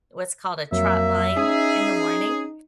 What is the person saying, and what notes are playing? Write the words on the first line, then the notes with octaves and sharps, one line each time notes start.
what's called a trot line in the morning
F2 F#3 A#3 E5
C#4 D#4 G#4